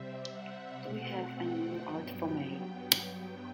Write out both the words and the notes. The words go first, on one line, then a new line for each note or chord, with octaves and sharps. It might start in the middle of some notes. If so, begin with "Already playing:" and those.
Do we have any new art for May?
Already playing: C3 G3 C4 E5
F#5
B2 A3 C4
G5
G2 F#3 B3 G5
G5